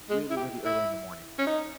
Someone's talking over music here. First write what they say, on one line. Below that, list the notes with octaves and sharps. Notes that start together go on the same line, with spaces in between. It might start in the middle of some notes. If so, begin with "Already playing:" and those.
really, really early in the morning,
G#3
E4
G4
E4
C#4
D#4